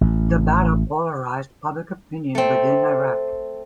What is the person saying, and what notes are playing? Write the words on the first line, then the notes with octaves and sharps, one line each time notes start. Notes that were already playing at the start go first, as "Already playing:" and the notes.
The battle polarized public opinion within Iraq.
A1
A3 C4